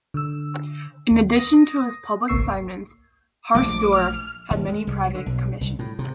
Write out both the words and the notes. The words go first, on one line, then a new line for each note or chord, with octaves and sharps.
In addition to his public assignments Harsdorff had many private commissions.
D3 E6
D#2
D#6 A#6
G#1 C#2 A#3 C#6 E6 C7
A#1 F3 A3 D6
F6
D#2
G#3
C2
D3
B1
C2
A2
C3